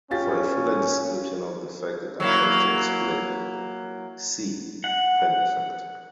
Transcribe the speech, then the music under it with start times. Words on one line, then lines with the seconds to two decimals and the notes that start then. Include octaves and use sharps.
For a fuller description of the fact it attempts to explain see: Penn effect.
0.11 C#4 F4 G4 A6
2.20 F#3 A#3 E4
4.84 F#5